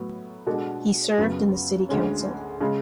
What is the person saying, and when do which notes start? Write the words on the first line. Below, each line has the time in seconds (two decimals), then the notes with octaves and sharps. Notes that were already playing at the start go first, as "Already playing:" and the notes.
He served in the city council.
Already playing: A2 F#3 B3
0.46 B2 G#3 D4 F#4 A4
1.18 F#2 C#3 F#3 B3
1.89 D2 D3 G#3 C#4
2.61 C#3 G#3